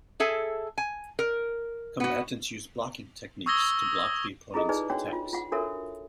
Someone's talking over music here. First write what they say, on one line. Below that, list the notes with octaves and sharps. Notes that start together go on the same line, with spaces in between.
Combattants use blocking techniques to block the opponent's attacks.
G#4 A4 E5 G#5
G#5
A#4
B3 F#4
C#6 D#6 E6 G#6 A#6 G7
E4 F4 G#4 A4 D#5
D#4 G#4 B4 D5
D4 F#4 C#5 G5
F4
F4 F#5
D4 F#4 A4 A#4 C#5 E5